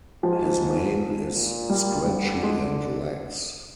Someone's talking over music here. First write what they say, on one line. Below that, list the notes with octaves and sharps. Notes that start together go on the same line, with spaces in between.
His mane is scratchy and lax.
G#2 F3
G#2
A#2
G3
D3 G3
G#3